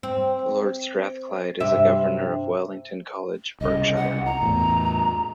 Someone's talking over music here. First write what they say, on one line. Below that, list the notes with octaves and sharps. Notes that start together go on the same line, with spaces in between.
Lord Strathclyde is a Governor of Wellington College, Berkshire.
C4
G2 C3 E5
C2 C#3 D#5
F#5
A#5
E2 A2